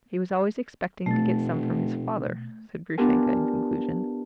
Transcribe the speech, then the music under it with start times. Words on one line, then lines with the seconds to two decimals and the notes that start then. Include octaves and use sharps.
"He was always expecting to get some from his father," said Grushenka in conclusion.
1.06 F1 B2 A3 A6
2.98 B3 D4 F4 G4 A#4 G#5